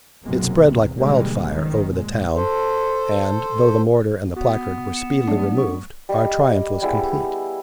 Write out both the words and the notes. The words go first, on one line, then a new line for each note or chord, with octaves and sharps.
It spread like wildfire over the town, and, though the mortar and the placard were speedily removed, our triumph was complete.
B1 F#2 C3 G#3 A#3
E2 C3
B2 D3 E3 G3 G#3 A#3
F#1 D#2 D#3
A#2 G#3
A4 C5
B3 F#4
C#7 E7
F#3 A3 D4
C#6
G3 D#5
G3 B3 E4 G#4